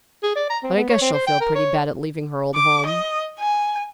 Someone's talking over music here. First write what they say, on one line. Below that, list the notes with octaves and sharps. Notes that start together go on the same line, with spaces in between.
But I guess she'll feel pretty bad at leaving her old home.
G#4
D5
A#5
C4
B3
C#5
C4
C5
G5
A#4
C#5
D6
D#5
G#5